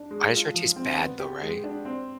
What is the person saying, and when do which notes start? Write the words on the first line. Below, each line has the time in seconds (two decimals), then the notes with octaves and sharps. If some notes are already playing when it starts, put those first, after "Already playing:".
I sure it tastes bad, though, right?
Already playing: D4
0.11 G#3
0.33 F4
0.54 F3
0.76 C4
0.98 B3
1.20 G4
1.42 G#3
1.64 D4
1.85 C4